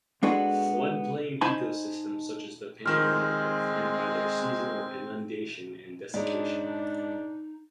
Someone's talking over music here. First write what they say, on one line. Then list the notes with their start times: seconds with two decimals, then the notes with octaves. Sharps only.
Floodplain ecosystems such as the Pantanal are defined by their seasonal inundation and desiccation.
0.23 G#3 B3 D4 F#4 G#4 A4
1.41 D#4 C5 D#5 G#5 A5 B5
2.86 D#3 F3 G#3 C4 C6 F6
6.14 G#2 D4 D#4 G#4 C#5 D5